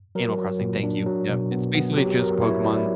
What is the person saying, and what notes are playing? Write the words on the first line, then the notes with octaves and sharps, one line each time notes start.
Animal Crossing, thank you, yep. It's, basically, just Pokemon
F#3 A#4
F#3
A#2
D4
F#3
B2
B3
B3
F#3 G4
F#3 A#4
E4 C#5
E4 D5